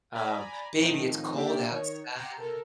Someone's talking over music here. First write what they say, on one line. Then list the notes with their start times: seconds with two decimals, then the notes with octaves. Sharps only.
um, baby, it's cold outside.
0.13 D5 G#5 A#5 B5
0.80 A2 D#3 F3 C4 D#4
1.34 A#3 D4 G4 D5 E5 G5
1.70 D#3 C#5
2.14 F#5 G5 A#5 C6 D6
2.38 A4 A#4